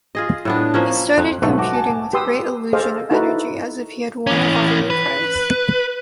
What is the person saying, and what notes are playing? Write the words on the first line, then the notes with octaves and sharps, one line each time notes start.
He started computing with great illusion and energy, as if he had won a lottery price.
F4 G#4 D#5
A2 B3 D4
F3 A#3 C#4
F2 F#6
B1 G#2 A3 B3
F#4 A5 D6
F#5 G#5 A5
G4 B4 C6 D#6 E6
G#4 A4 C5 D#5 F5 D6
D#4 E4 F#4 A4 B4
E3 C#4
B4